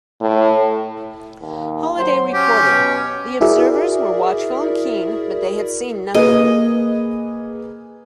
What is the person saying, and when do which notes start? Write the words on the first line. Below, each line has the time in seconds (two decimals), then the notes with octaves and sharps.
Holiday reported, The observers were watchful and keen but they had seen nothing.
0.21 A2
1.41 D#2
1.99 F#3 C5
2.33 C#4 G4
2.69 B2
3.41 E4 F#4 G#4 A#4 D5 E5
6.15 A#3 G#4 B4 D#5